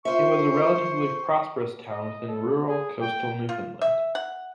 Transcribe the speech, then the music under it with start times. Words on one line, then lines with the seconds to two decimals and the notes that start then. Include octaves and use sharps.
It was a relatively prosperous town within rural, coastal Newfoundland.
0.05 F4 C5 E5 C#6
1.90 D#5
2.28 A4
2.69 G#4
3.01 G5
3.49 F4
3.81 E5
4.15 F#5